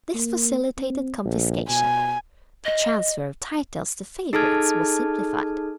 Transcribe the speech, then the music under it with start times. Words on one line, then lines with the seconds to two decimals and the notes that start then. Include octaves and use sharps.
This facilitated confiscation; the tranfer of titles to favourites was simplified.
0.14 A#3
0.77 C4
1.25 A#1
1.69 B2 G#5
2.65 D#5
4.33 D#4 G#4 A4 A5 F6 G#6